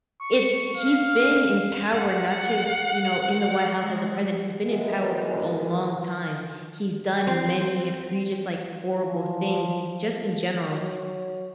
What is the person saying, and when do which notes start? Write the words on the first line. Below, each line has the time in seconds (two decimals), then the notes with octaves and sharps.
it's he's been in power not just, you know, in the White House as a president. He's been in power for a long time. He's done many egregious, like, horrible things, just in general.
0.21 C#6
0.76 F5
1.94 F#5
3.76 G#3
4.61 B2 D#3 E3 G#3 B3
7.27 C4
8.90 F3
10.67 F#3